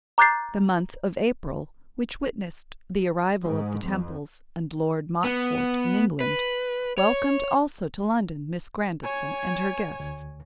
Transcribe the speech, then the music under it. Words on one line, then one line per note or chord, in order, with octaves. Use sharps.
The month of April, which witnessed the arrival of the Temples and Lord Montfort in England, welcomed also to London Miss Grandison and her guests.
A#5 D6 F#6 G6 A6 C7
G#2
F2
B3
B4
C#5
C#5 G#5
D2